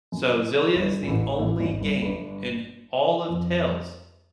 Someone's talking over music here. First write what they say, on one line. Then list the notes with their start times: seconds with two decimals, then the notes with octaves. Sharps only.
So Xillia is the only game in all of Tales
0.12 F#2
0.75 G1 G2
1.03 A#2
1.07 A1 A2
1.39 A1 A2
1.60 G#1 G#2
1.81 G1 G2
2.02 G1 G2
3.29 F2